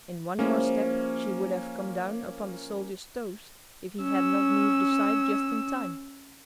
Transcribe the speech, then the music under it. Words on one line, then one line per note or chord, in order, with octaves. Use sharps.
In one more step she would have come down upon the soldier's toes, if he had not moved aside just in time.
F3 G#3 A#3 C#4 E4
C#4 E6